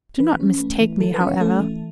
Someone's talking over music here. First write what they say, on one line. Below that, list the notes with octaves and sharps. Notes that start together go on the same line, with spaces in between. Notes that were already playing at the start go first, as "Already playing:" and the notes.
Do not mistake me, however.
E3 B4
C#4
A3
E3
E3 A4
B4
C#4
C#5
A3 A4
E3